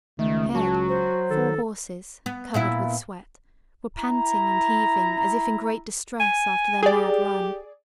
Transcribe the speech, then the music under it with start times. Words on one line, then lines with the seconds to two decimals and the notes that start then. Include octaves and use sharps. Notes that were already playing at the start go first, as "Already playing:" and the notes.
Ahead, four horses, covered with sweat, were panting and heaving as if in great distress after their mad run.
0.19 C#2 D#3 A3
0.55 F#3 F#4 A5
0.89 C5
1.30 D#3 A4
2.26 B3
2.54 A#2 B3 E4
3.97 E4 A#5
6.20 G#5
6.83 G4 G#4 D5